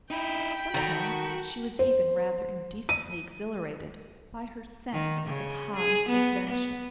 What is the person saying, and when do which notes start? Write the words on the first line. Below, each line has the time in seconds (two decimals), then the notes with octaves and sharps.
Sometimes she was even rather indecently exhilarated by her sense of high adventure.
0.11 D#4 E4 G5 B5
0.74 D#3 F#4 A4 A#5
1.79 C5
2.89 D#7
4.92 D#3
5.27 C#3
5.76 G#4
6.09 B3
6.47 B3